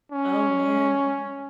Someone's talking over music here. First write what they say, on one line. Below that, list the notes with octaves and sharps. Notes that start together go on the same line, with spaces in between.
Oh, man.
C#4